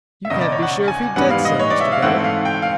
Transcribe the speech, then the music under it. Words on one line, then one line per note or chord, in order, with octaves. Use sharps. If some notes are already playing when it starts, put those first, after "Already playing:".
"You can't be sure if he did sin, Mr. Beryl."
E5
E1 E2 C#3 D#5
D5
C#5
F#5
G#5
G#2 E3 G3 B3 F#5
F5
D#5
C#5
D5
E5
F5
G#2 E3 A3 C4 F#5
F5
G5
F5